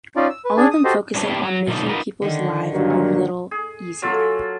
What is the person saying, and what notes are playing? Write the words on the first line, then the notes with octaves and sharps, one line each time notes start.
All of them focusing on "making people's life a little easier".
C#4 D#4 F4 D5
E6
B4
D4 G#4 G#5 A5
D#6
F#4 G4 A4 C5 D#5
F#3 G3 D4 F#4 B4 C#5
A2 B3 D4 E4 G4
F#3
B2 D3 F#3 A3 D#4 F4
D#4 F4 F#4 A#4 B4
D3 D#3
G2 A#2 F#3
G#4
F#3 F4 A4